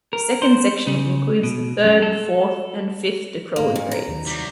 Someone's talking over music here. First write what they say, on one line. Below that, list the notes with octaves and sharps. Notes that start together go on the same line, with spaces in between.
The second section includes the third, fourth, and fifth Decroly grades.
A#4
C5
C#3
B2
F#2
A4
G#2 A3 A#3
A#2
A#5
D#2 D#3 F#3
C3 G3